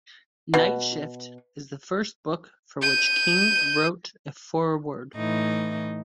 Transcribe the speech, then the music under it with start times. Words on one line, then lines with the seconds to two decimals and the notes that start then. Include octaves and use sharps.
"Night Shift" is the first book for which King wrote a foreword.
0.54 B2
2.82 G6 D#7
5.16 A2 E3 D#4